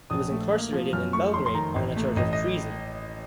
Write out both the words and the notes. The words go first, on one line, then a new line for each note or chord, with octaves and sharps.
He was incarcerated in Belgrade on a charge of treason.
A#1 D#6
A3
A#3
F3
F#2 F6
A3 C#6
F1 C6
C6
D#3 A#5
A1
A3
A1 D#5
D#5